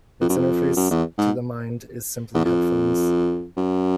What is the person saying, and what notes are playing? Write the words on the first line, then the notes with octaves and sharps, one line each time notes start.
Its interface to the mind is simply headphones.
F2
F#2
F2
F#2
E2
G#2
E2
F2
F#2